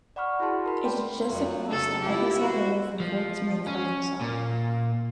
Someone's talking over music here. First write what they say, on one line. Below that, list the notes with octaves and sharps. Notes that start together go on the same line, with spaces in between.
It is just across the Arkansas River from Fort Smith, Arkansas.
D5 F#5 B5 C#6 F6
E4 F#4 G#4 A5 C6
A#4 B5
D5 G5 B5 C6
F2 F#3
C#3 F#3 A4
E4 F4 G4
F#4 C5
F3
C#4
A#2